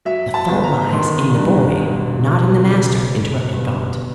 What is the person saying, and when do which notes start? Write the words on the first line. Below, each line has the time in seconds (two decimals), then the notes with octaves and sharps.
"The fault lies in the boy, not in the master," interrupted Gaunt.
0.05 F#3 E5
0.34 A5
0.48 G1
0.63 A#5
0.92 D#3 C6
1.35 G2
1.79 E1
2.22 E1
2.65 C#3
3.08 E1
3.53 G1